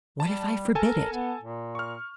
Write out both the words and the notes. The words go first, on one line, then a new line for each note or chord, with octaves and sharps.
"What if I forbid it?"
G3 A5
A4 A#4 G#5 A5
B3
A#2
C#6 F6